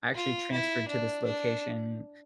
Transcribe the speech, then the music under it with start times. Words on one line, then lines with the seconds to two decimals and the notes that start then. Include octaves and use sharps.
I actually transferred to this location.
0.14 F4
0.51 E4
0.88 D4
1.24 D4